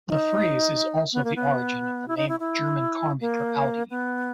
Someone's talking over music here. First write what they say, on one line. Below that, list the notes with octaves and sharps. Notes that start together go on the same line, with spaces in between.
The phrase is also the origin of the name of German carmaker Audi.
D#4
B3
A#3
B3
E4
D#4
E4
E4
A#3
B3